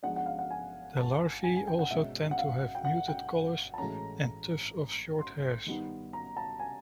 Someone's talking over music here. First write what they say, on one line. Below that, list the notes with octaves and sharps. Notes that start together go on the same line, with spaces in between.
The larvae also tend to have muted colors and tufts of short hairs.
F3 G#3 B3 D4 F#5
F#5
F5
F#5
G#5
A5
G#5
G#5
G5
F#5
B2 G#3 C#4 E5
F#5
F5
G5
F#5
G5
A5
A2 E3 G#3 C#4 A#5
C6
D#3 G3 B3 D#4
A#5
A5
G#5